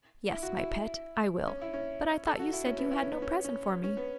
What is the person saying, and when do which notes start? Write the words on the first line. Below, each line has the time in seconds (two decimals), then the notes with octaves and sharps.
"Yes, my pet, I will; but I thought you said you had no present for me?"
0.30 E4
0.43 F#4
0.57 E4
1.47 C#4
1.62 E4
1.74 C#4
2.26 A4
2.39 F#4
2.53 E4
2.66 C#4
2.78 B3
2.92 E4
3.02 C#4
3.12 B3
3.22 C#4
3.44 C#4
3.84 C#4
3.97 B3